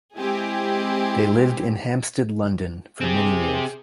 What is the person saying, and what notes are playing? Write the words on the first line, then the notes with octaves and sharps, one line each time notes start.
They lived in Hampstead, London for many years.
G#3 C4 E4 G4 G#4
C4 G4 G#4